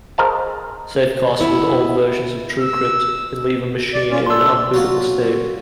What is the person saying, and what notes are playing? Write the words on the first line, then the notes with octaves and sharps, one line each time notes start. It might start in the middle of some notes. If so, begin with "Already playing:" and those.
SafeCast with old versions of TrueCrypt can leave a machine in an unbootable state.
G#4 A#4 C5 D#5 F5 A5
B3 E4
E6
D5
C#4 F4 D5
A3 D4 C6 E6
F#3 F4